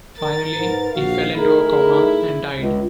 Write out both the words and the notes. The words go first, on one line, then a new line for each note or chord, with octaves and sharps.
Finally, he fell into a coma and died.
A#4 A6
G#2 B4
A#1 F#4 F5
A3 D#4 E4 G#4 A#4
G1 C#2 C#4 F4